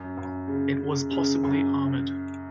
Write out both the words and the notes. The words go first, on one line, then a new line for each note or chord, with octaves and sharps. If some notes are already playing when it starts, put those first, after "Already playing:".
It was possibly armoured.
Already playing: F#2
F#2
C#3
C#3
C#3
F#2